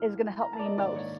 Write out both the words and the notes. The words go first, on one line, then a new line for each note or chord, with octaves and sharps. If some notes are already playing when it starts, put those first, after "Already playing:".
is gonna help me most
Already playing: B1 A2 E3 F6
A#5
A5
D5
D#5
A#1 G#2 D#3 D5
C#5